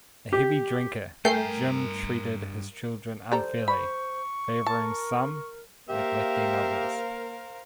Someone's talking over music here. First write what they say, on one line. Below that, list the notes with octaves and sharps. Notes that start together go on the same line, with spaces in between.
A heavy drinker, Jim treated his children unfairly, favouring some, neglecting others.
G4
G2 A3 A#4 G5 G#5 A#5 G6 C7
G3 A4 C5 A#5
B5 C#6
A#4 A5
A#3 G4 A#4 C5 E5 F5